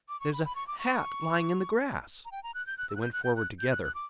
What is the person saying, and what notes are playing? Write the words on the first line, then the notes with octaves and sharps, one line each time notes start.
There is a hat lying in the grass.’ They went forward together.
D6
C#6
B5
B5
C#6
D6
C#6
A#5
G5
A#5
F#6
G6
F#6
E6
F#6
G6
F#6
G6
F#6
G6
F#6
F#6
D6